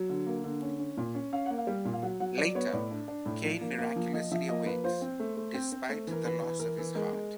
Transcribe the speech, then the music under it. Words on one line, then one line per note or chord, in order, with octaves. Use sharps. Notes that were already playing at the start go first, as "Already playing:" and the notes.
Later, Kain miraculously awakes, despite the loss of his heart.
Already playing: F#3
D3
A#3
D3
C#4
C#4
A#2
C#4
C#4 F5
A#3 F#5
F5
G3
A#2
F5
F#3 F#5
F#3 F#5
F#3 D5
B3 C#5
A2 D5
D4
D4
A2
F3
A#3
A#3
F3
F3 D#5
F3 E5
A#3 D#5
F3 B4
F4 C5
C4
A3
A3
C4
C4
A3
E3 A#4
E3 B4
E3
E3 A#4
E3
G#3 A#4
G#3